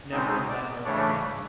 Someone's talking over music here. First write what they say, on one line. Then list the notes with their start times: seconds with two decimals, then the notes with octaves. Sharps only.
Never in that house again!
0.11 B2 G#3 C4 D#4
0.48 D5
0.84 C#3 E3 A3 D4 C#5